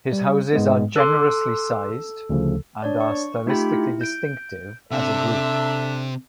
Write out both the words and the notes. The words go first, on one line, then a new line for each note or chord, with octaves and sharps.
His houses are generously sized and are stylistically distinctive as a group.
G3
G#2 G#3 B3
A4 C6 D6 F#6
D2 C#3 F3
D4 C#5 D5
C#6
A3 D#4 F4 G4 G5 B5
E4
G6 D7
C3 D4 A4 E5